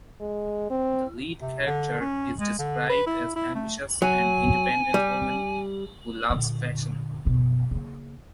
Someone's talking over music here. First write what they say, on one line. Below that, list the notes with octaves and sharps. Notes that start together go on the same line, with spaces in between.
The lead character is described as ambitious and independent woman who loves fashion.
G#3
C4
C3
D3
C#4
G#3
D3
B4
E4
E4
A3
F#3 G#5
G3
A#2 D3
F#1 B2
C#3 A#3